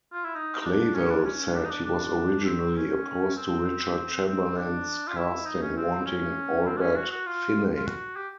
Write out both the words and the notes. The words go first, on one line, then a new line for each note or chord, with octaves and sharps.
Clavell said he was originally opposed to Richard Chamberlain's casting, wanting Albert Finney.
F4
E4
D#4
D#4
D4
C#4
D4
C#4
D4
D#4
D4
D4
C4
C#4
C4
C4
D4
F4
E4
D#4
C#4
C4
C#4
C4
D4
C#4
F#4
F#4
F4
F4
F#4
G4